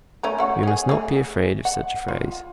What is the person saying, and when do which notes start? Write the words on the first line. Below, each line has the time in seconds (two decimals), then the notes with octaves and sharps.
We must not be afraid of such a phrase.
0.23 A3 C#4 A#4
0.38 A3 F#4
0.63 C#4 G#4
0.89 A3 G#4
1.65 F#5
2.08 F4